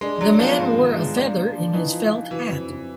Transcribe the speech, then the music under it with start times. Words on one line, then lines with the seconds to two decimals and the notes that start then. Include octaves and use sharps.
The man wore a feather in his felt hat.
0.01 G#3 D4
0.21 F#3 D4
0.40 F3 B3
0.59 G#2
0.78 D#3
0.97 G#3
1.16 D4
1.35 A#3
1.55 D4
1.73 E3 D#4
1.93 F3
2.12 F3
2.31 E3 F#3
2.50 F2
2.69 F2